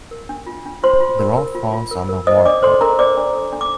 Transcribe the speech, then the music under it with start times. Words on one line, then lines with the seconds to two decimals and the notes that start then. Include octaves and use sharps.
The road falls under Ward no.
0.11 A#4
0.29 D4
0.47 F4
0.66 D4
0.83 F4 C5 C6
1.00 F4
1.19 A#4
1.37 A#4
1.55 F4
1.73 F4
1.91 A#4
2.09 A#4
2.27 C5 D#5 D#6
2.45 D4 D5 D6
2.63 A4 C5 C6
2.81 D4 A#4 A#5
2.99 C5 D5 D6
3.17 D4
3.35 A4
3.53 D4
3.61 D6